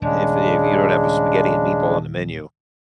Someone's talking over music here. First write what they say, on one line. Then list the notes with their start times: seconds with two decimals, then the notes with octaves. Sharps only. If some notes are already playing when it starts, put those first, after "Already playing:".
If if you don't have a spaghetti and meatball on the menu.
0.02 D#1 C#3 G#3 D4